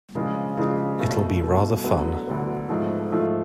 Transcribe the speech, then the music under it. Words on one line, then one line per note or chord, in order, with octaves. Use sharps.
It'll be rather fun.
C#3 F3 G#3 D4 F4
C#3 F3 G#3 D4 F4
B2 A3 F4
B2 A3 F4
D2 D3 F#3 B3
D2 D3 F#3 B3
G#2 F3 A3 F4
G#2 F3 A3 F4